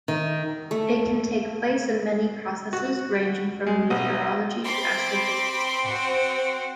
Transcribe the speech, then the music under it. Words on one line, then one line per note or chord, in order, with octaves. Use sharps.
It can take place in many processes, ranging from meteorology to astrophysics.
D#3
A3
F#4
G#3
B1
C4 B5 C6 D6
F#4 C5